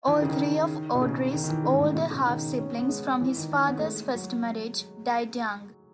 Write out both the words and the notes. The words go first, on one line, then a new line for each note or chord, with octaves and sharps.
All three of Awdry's older half-siblings from his father's first marriage died young.
E3
D#3
C#3
D#3
B2
C#3
D#3
D#3
E3
C#3
G#2
A2
B2
C#3
D#3
C#4
B3
G#3
E3
D#3
C#4
B3
A3
G#3
F#3